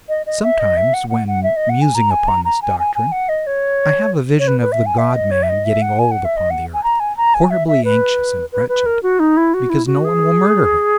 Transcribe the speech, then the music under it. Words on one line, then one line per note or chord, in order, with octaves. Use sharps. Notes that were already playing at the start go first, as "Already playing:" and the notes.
Sometimes, when musing upon this doctrine, I have a vision of the God-man getting old upon the earth, horribly anxious and wretched, because no one will murder him.
D#5
D#5
E5
D#5
E5
F#5
F#5
F#5
E5
D#5
F#5
G#5
A#5
G#5
A#5
A#5
G#5
G#5
G#5
F#5
D#5
C#5
C#5
B4
B4
E5
G#5
E5
D#5
C#5
E5
D#5
E5
F#5
G#5
F#5
E5
D#5
F#5
G#5
A#5
G#5
A#5
G#5
E5
E5
B4
B4
B4
A#4
F#4
D#4
E4
F#4
E4
F#4
G#4